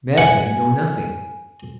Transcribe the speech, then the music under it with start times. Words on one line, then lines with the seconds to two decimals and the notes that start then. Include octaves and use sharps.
Madmen know nothing.
0.18 F#5 G#5